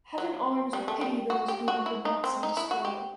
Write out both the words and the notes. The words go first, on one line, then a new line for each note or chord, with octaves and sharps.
Heaven arms with pity those whom it would not see destroyed.
F#3
G3
A3
G3
F#4
G4
F#4
E4
D#4
C4
D#4
E4
F#4
G4